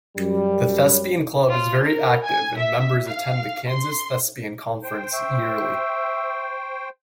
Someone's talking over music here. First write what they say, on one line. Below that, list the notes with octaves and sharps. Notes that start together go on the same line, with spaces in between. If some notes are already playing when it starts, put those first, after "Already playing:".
The Thespian club is very active and members attend the Kansas Thespian Conference yearly.
F#2 G3
F4
A#4
G#5
E5
F5
C6
C5 G5
E5 C#6